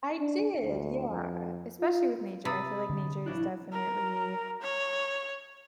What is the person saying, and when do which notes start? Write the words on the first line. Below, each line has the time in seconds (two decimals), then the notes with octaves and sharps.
I did, yeah, especially with nature, I feel like nature is definitely
0.19 D4
0.62 D2
1.08 F2
1.80 F4
2.45 C3 B5 D#6 A6
2.89 D3
3.26 A#1 D4 E4 F#6
3.72 A#4
4.62 C#5